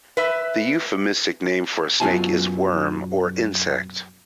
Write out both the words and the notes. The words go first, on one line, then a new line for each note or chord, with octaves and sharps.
"The euphemistic name for a snake is "worm" or "insect"."
B4 E5
F#2 B2 A#3 F4 G#5 A5